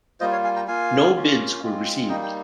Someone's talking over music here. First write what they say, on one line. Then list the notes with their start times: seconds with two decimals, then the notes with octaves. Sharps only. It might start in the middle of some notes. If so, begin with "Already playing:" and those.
No bids were received.
0.20 G3 A#3 F4 C5 D#5
0.32 C#5 F5
0.44 F5 G#5
0.56 G5 A#5
0.68 A#3 F4 F5 G#5
1.15 A#3 C#4 F4
1.62 G#3 C4 F4
2.09 G3 A#3 D#4 D#5 G5
2.23 G5